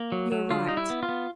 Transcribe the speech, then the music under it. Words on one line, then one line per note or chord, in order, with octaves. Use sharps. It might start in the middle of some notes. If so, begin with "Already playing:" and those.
You're right!
Already playing: A#3
F#3
F#3
D3 F4
G3 D#4
E4
B3
F4
B3